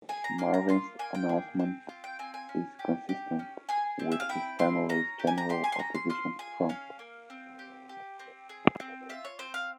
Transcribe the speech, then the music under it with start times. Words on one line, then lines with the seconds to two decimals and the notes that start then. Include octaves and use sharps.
Marvin's announcement is consistent with his family's general opposition to Trump.
0.09 G#4 G#5
0.24 A#5
0.38 A#3 C6
0.54 A#5
0.69 F4 C6
0.99 A#3 G#5
1.14 G5
1.29 G#4
1.59 C4
1.89 F4
2.04 G5
2.19 C4 G#5
2.34 G#5
2.49 C#4
2.79 G4
3.09 G4
3.39 C#4
3.69 G#4 G#5
3.99 C4
4.12 E5
4.20 F5
4.29 E4 G5
4.59 C4 C6
4.89 C#4 A#5
5.19 G4
5.27 G#5
5.38 A#5
5.49 G4 C6
5.64 G#5
5.72 C6
5.79 C#4 A#5
5.95 C6
6.10 F4 C6
6.39 G#4 G#5
6.69 C#4 F5
6.99 A#3
7.30 C4
7.59 G4
7.89 G4
8.19 C4
8.49 G#4
8.80 C4
9.09 F4 E5
9.25 C#5
9.39 C4 C5
9.54 F5